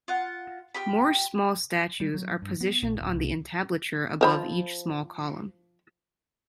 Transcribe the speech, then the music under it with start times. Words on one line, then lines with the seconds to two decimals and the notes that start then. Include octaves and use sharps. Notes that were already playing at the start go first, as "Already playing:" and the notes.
More small statues are positioned on the entablature above each small column.
0.08 F4 F#5
0.74 F4 G4 B5
2.00 G3
2.14 F#3
2.42 G2
2.61 B3
2.82 A#1
3.01 D1
3.18 C2
4.21 F3 C5 B5